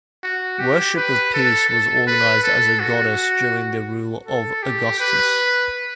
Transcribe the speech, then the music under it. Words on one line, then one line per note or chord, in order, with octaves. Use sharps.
Worship of Peace was organized as a goddess during the rule of Augustus.
F#4
G4
B4
A4
A4
B4
A4
F#4
A4
G4
B4